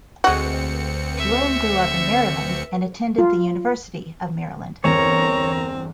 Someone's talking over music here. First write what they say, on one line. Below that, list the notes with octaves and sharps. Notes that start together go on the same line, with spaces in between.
Blum grew up in Maryland and attended The University of Maryland.
D2 G#3 C4 F#4 C#7
E5
F4
G1 E2 C4 A#4 C#5 A#5 F7